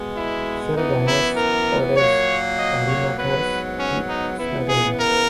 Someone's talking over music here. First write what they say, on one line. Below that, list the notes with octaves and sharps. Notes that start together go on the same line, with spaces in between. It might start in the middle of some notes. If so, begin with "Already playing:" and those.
Sylvanas orders Varimathras to slaughter him.
Already playing: B2 G#3 B3
E4
F#2 E3 B3 D#4
E4
A#4
A#2 F#3 A#3 C#5
D#5
C#5
G#2 F#3 B3 B4
C#4
D#4
C#3 E3 B3 E4
G#4
A#4